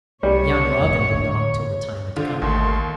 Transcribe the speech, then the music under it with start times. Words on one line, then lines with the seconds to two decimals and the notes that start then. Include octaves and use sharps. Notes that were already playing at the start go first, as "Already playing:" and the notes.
Young Robin did not till the time had come.
0.23 C2 G3 C#5
0.79 G1 F2 A2
1.11 D2 A2 D3
2.17 D3 F4 C5
2.42 G#1 D#2 D#3 A3 C6